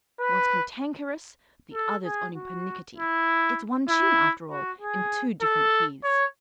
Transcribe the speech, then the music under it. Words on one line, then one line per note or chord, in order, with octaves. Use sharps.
One's cantankerous; the other's only pernicketty. It's one tune, after all, in two different keys.'
B4
A4
G#4
F#4
E4
E4
F#4
G#4
A4
C#5